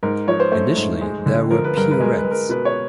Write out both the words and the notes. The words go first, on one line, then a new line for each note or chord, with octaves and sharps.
Initially there were pew rents.
G#2 A#4
F3 C#5
C5
A3 C5
G#2
G#3
D3
F3 A#4
B4
G2 A#4
B4
G#3 A#4
B4
G#3
A#4
B2 B4
C#5